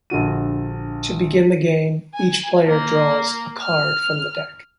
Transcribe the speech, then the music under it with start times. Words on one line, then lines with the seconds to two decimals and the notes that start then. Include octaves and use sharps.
To begin the game, each player draws a card from the deck.
0.10 A#1 D3 F#4 D#7
2.14 G#5
2.67 A#3
3.62 F6